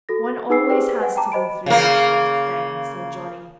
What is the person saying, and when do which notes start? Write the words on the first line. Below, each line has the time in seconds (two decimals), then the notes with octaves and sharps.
"One always has to go through that sort of thing," said Johnny.
0.09 F#4 A4 A#6
0.50 D#4 G#4 B4 G#5 E6 C7
0.69 G4 G#4 B4 C5 D5 G5
1.01 B4 F#5 G#5
1.16 G5 A5 A#5 D6
1.32 C5 D#5 B5 D7
1.66 C#3 A#3